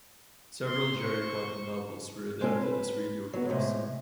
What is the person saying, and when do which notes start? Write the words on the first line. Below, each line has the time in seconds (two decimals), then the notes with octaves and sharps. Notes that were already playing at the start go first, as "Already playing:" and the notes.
Several Jerry Cotton novels were adapted as radio plays.
0.67 C6
0.99 C5 C#6
2.41 G#3 C4 C#4 G4 A4
2.63 B4
3.33 F#3 B3
3.49 A2 C3 G#3